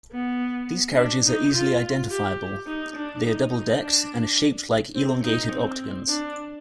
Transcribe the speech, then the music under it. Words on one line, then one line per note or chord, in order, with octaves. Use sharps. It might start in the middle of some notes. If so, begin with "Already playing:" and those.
These carriages are easily identifiable; they are double-decked and are shaped like elongated octagons.
B3
D4
D#4
F4
G4
D#4
D4
D#4
D4
C4
D#4
C4
D4